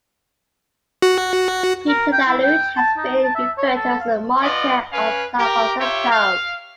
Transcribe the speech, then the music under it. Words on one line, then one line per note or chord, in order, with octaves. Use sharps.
Peter the Aleut has been referred to as a "martyr of San Francisco".
F#4
A#4
G5
E4
G5
A5
D#4
A5
E5
C#5
A4
F5
B3 F4 D5 D#5
C#4 B4 F5 G#5
G4 A#4
F4 G4 C#5 E5
F5